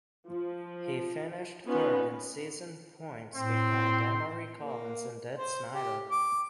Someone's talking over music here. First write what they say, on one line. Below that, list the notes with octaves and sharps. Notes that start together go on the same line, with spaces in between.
He finished third in season points behind Emory Collins and Deb Snyder.
F3
B3 C#4 D#4 F4 B4
A2 C4 C6
A#3
C5
G4
D6